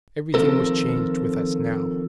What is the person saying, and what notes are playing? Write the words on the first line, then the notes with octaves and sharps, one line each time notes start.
Everything was changed with us now.
D#3 F3 G#3 C4 A4 A#4